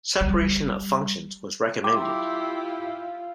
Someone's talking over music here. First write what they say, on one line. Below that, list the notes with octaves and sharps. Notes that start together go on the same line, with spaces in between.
Separation of functions was recommended.
G3
E4 F4 G4 G5 C6 D6